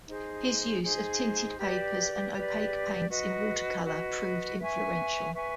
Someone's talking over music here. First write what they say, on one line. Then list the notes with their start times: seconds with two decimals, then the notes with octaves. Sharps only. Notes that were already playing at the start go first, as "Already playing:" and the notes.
His use of tinted papers and opaque paints in watercolour proved influential.
0.07 D#4 G#4 C5
0.82 D#4 G#4 C5
1.58 G4 B4 D5
2.33 G4 B4 D5
3.09 F#4 B4 D#5
3.84 F#4 B4 D#5
4.59 B4 E5 G#5 C#6
5.34 B4 E5 G#5 C#6